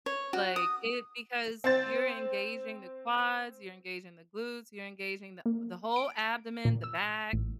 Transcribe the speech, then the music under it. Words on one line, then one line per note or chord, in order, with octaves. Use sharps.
like, it because you're engaging the quads, you're engaging the glutes, you're engaging the the whole abdomen, the back,
C#5
F#4
D#6
C4 C5 A6
A#3
D7
A#2
E6
A1